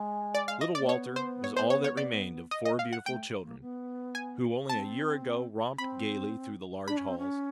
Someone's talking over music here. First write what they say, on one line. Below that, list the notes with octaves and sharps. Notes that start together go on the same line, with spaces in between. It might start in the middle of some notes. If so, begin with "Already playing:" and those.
Little Walter was all that remained of four beautiful children, who, only a year ago, romped gaily through the large halls.
Already playing: G#3
D5
F5
D#5
A#3 D5
B3 C#5
C5
C#5
C5
C#5
C#5
D5
D#5
D#5
F5
F#5
A3 G5
A#3
B3
G#5
C4 A5
C4 B5
D4 B5
C#4
C4
C#4